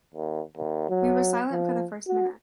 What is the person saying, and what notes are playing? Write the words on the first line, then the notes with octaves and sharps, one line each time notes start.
We were silent for the first minute.
D#2
D#2
F#3
F3
F#4